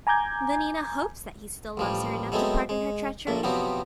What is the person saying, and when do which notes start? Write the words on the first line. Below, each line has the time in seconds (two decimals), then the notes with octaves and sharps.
Vanina hopes that he still loves her enough to pardon her treachery.
0.07 G#5 A#5 D6 G6 G#6
1.77 A1 F3 G3
2.32 F#3 G#3 A3 B3 C4
2.69 G#3
3.27 A#1 A#2 A3
3.43 C3 F3 F#3 B3 C4